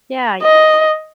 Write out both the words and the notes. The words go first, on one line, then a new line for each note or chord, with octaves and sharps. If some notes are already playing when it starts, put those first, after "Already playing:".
Yeah, y
D#5